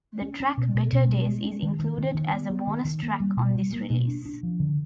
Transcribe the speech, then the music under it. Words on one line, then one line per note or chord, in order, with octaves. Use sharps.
The track 'Better Days' is included as a bonus track on this release.
C#4
C#4
B2
B2
B2
G#3
G#3
C#4
D#3
D#3
D#3
D#3
B3
B3
D#3
D#3
A#3
G3
B2
G3
A#3
B2
D4
D4
F3
D3